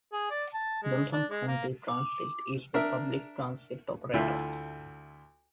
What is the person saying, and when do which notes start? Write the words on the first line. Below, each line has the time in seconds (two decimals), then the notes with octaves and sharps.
Johnson County Transit is the public transit operator.
0.13 G#4
0.30 D5
0.54 A5
0.83 G#3
1.13 D4
1.31 G#3
1.47 A#3
1.88 D6
2.74 D4 A#4 E5
4.13 D2 A3 E4 F4